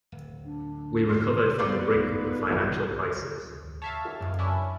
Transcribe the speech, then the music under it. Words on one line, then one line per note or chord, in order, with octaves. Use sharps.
We recovered from the brink of a financial crisis.
D1
D4
G#2 D#3 G#3 D5 C6
B3 D#4 F4 B4 D5
C#5 E5 F5 A5
C#2 F#2 A2
C#4 D4 E4